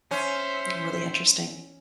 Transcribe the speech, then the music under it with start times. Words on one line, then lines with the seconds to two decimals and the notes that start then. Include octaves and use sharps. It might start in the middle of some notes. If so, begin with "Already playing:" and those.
really interesting.
0.11 C#4 C5 E5